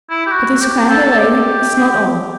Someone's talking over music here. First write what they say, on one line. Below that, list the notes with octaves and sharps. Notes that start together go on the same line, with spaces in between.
But this grand array is not all.
E4
G4
F#4
G4
A4
A4
G4